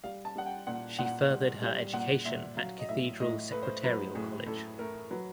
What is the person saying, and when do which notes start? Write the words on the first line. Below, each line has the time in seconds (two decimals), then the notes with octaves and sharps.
She furthered her education at Cathedral Secretarial College.
0.04 G3 F5
0.25 A5
0.36 G3 F#5
0.46 G5
0.67 A#2 F#5
0.99 A#2 F#5
1.30 G3
1.62 G3
1.94 A#2 F#5
2.25 A#2 E5
2.57 F#3 F5
2.79 D#5
2.89 A2 E5
3.20 A2 D#5
3.52 A3 B4
3.63 C5
3.84 F#3 B4
4.15 A2 G#4
4.47 A2 A4
4.78 A3 A#4
5.11 F#3 B4